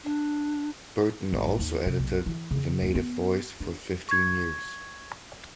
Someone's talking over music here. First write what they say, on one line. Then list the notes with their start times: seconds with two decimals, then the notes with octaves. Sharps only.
Burton also edited "The Native Voice" for fifteen years.
0.04 D4
1.33 G#1
1.59 D#2
1.86 C3
1.99 B1
2.26 E3
2.51 C#3
2.82 D#2
2.95 B3
3.60 D4
4.09 C#6 G#6